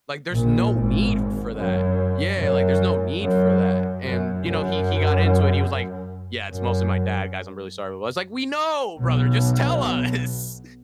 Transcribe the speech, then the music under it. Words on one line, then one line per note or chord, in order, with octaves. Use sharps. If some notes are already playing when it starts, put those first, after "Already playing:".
Like, there's no need for that." Yeah, like, there's no need for that, and, you know, he he got into it, he was like, "Yeah, it's mostly my dad, guys, I'm really sorry about" I was like, "We know, brother, just tell us!"
A#1 A#2
G#1 G#2
F#2
F#2
F#2
F#2
F#2
F#2
B1 B2